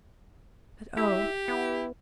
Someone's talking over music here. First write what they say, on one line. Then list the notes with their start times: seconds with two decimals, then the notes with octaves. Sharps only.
But oh!
0.97 E4 G4 E5
1.48 B3 E4